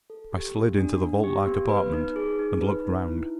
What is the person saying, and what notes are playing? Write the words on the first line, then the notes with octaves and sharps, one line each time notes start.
I slid into the vault-like apartment, and looked round.
A4
G4
B3
D4
B3
G4
B3
B4
D#4
G#4
D#4
B4
D#4
E4